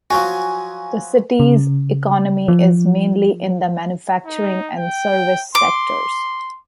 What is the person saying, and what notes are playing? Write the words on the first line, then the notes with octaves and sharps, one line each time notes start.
The city's economy is mainly in the manufacturing and service sectors.
F3 F#3 F#4 G#5
C#3
F3
D#4
G5
C6 D6